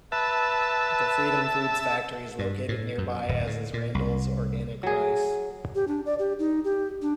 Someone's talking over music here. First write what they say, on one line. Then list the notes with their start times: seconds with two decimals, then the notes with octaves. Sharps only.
The Freedom Foods Factory is located nearby as is Randall's Organic Rice.
0.12 B4 E5 A5
2.39 G2
2.69 A2
2.98 F#2
3.29 D1
3.47 A2
3.74 A#2
3.94 C2
4.83 F#3 G#4
5.75 G4
5.88 D4
6.06 D5
6.19 G4
6.39 D#4
6.64 G4
7.02 D4